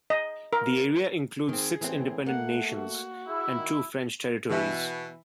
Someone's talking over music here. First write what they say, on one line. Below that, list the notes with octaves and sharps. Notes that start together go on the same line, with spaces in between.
The area includes six independent nations, and two French territories.
D#5
A#4
D#3 C4 G#4
A2 E3 C4
A3 A#3 F#5
F#4
E4 G#4
D#3
B2 E3 E5